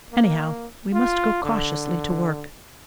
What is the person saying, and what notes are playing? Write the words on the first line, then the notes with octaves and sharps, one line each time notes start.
Anyhow, we must go cautiously to work.
A#3
F4
D3